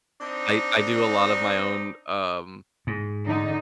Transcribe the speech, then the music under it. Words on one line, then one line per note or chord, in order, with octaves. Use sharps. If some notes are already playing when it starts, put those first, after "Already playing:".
I I do a lot of my own, um,
C4 D4 D#4
G#2
D3 D#4